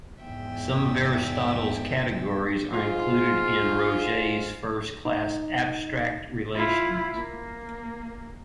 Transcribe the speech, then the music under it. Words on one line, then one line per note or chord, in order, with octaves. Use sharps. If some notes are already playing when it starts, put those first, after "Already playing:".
Some of Aristotle's Categories are included in Roget's first class "abstract relations".
E2 G#2 E5 G5
G#2 F4
D#4
E4 F4
A#3